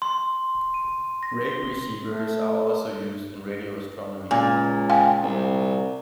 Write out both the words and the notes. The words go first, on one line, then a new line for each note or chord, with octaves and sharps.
Rake receivers are also used in radio astronomy.
C6
D#7
A#6
G7
A3
C#2 A#2
F5 G5 G#5
C2